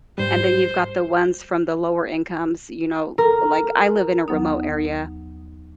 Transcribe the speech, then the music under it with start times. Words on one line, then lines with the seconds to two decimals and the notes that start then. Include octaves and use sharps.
and then you've got the ones from the lower incomes, you know like, I live in a remote area,
0.18 G#2 G3 C5
3.18 A#4
4.28 D#2 F#3 B3 D#4